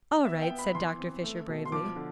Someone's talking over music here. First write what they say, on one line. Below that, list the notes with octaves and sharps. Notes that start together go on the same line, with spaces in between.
"All right," said Dr. Fisher bravely.
B3 E5
G5
B3
B5
E3 C6
C4
A3
B2
C6
F3 D6
D3